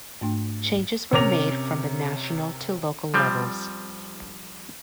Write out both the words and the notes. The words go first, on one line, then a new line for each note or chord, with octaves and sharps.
Changes were made from the national to local levels.
G#2 A3 D4 G5
C3 C#4 A#4 D6 A#6 F7
F3 G3 C4